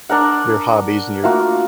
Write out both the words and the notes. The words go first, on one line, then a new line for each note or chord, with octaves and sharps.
your hobbies and your
D4 A#4 F#5
A3 A#3 F4 F#4